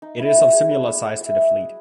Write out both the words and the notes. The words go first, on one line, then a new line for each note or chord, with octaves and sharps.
It is of similar size to the Fleet.
D#4
E4
F#4
G#4
B4
B4
E5
D#5